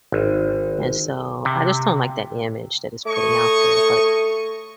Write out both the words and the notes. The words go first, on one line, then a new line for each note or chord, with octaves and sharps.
and so, I just don't like that image that it's putting out there, but
G#1
C3
A3 C#5 D#5 C#6